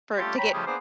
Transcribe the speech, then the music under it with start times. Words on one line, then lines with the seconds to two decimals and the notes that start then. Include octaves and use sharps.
for to get
0.18 G3 A3 C#4 F4 G4 A4
0.37 C#5 G5 A#5 B5
0.53 C#3 F3 G3 A3 G4 G#4
0.67 A#3 B3 D4 G#4 C5